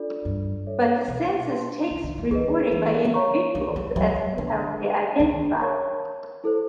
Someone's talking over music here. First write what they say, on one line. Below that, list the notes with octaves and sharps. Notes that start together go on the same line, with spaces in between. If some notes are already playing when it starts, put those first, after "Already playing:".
But, the Census takes reporting by individuals as to how they identify.
Already playing: D4 F4 A4 D5
G2
A4 C#5 E5
B2
C5 F5 A5 C6
C#3
D3
D#3
D#3 G#4 B4 D#5
E3
C#5 F5 A#5 C#6
D#3
F3
F#3 C#5 E5 G5 B5
D3
D#4 G#4 C5 D#5
D#3
A#4 C#5 F5 A5 C#6
E4 A4 C5